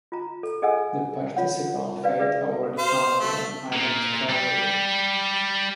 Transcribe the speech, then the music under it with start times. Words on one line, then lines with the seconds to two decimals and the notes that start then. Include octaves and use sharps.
The participle "fait" already followed an identical rule.
0.12 F4 A#5
0.43 A4
0.62 G#4 A4 D#5 F#5 G#5 E6
1.36 F4 C#5 F#5
2.04 B4 D5 F5
2.20 G#4 B4 D5 E5
2.78 C5 F5
3.20 A3
3.73 A#2
4.29 G3